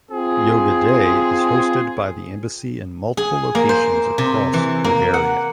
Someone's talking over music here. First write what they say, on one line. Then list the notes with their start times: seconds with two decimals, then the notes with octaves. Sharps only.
Yoga Day is hosted by the embassy in multiple locations across Bulgaria.
0.11 C4 F4 G#4
3.17 G#4
3.55 A#3
3.69 C5
4.18 C3
4.53 E3
4.84 A#3
5.14 F#5